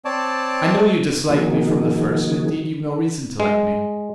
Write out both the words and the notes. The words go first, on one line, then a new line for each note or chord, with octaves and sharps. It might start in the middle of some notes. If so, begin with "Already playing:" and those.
I know you disliked me from the first and indeed you've no reason to like me.
C4 C#5 D5 A5
D#3 F3 A#3 D#4 F#4 G#4
G#3